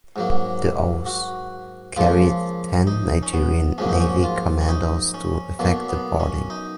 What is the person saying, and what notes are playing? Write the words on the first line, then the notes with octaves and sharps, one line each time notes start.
The "Ose" carried ten Nigerian Navy commandos to effect the boarding.
G#2 F#3 A#3
F#4
C#2 C#3 F3 A#3 F4
D#4
C#4
B3
A#1 G#2 F#3 A#3 C#4
D#4
C#4
F4
C#4
D#4
C#4
B1 B2 F#3 A#3
B3
C#4
D#4